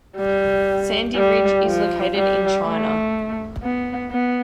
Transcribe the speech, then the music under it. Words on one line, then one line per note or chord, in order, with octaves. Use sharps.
Sandy Ridge is located in China.
G3
G3
F3
G3
A3
B3
B3